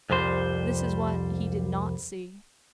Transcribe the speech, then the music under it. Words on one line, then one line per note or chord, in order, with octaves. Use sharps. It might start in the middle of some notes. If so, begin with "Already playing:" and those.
This is what he did not see.
C2 F2 G3 C5